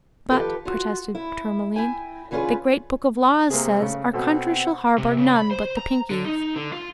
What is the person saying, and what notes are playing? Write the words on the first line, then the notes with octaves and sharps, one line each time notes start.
"But," protested Tourmaline, "the Great Book of Laws says our country shall harbor none but the Pinkies."
D#3 F3 G4 A4 B4
F4 F#4
E4
E4 G5 G#5
D3 E3 C#4 F4 G#4 B4
C3 A#3 G#4
C#3 A3
B2 C4 A4 F#5
C3
C#3
B5
C5
A#5
D3
D#4
D3
F4